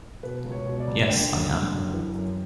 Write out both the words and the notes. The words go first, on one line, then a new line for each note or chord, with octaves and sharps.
Yes, I am.
B2 B4
C#2
C#5
B2
C#5
D5
C#2
D3 G5
F#2
D3
F#2
E3
F#2